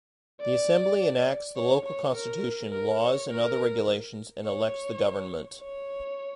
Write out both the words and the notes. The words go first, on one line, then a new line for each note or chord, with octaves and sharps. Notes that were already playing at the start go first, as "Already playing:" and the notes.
The Assembly enacts the local Constitution, laws and other regulations and elects the Government.
D5
C#5
C#5
A#4
A#4
C#5
A#4
C#5
C#5